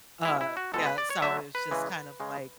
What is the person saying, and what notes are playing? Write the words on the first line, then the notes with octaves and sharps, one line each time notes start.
uh, yeah, so, it's just kind of, like,
B2 G#3 E4
E4
F#4
B2 G#3 A4
B4
D5
C#5
D3 F#3 A3 E5
B4
C#3 E3 G#3
C#3 G#3